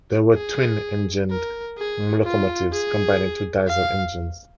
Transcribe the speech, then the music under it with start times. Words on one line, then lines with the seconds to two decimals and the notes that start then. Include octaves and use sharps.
They were twin-engined locomotives, combining two diesel engines.
0.34 G#4
1.30 A#4
1.78 G#4
2.25 F4
2.73 G#4
3.68 F5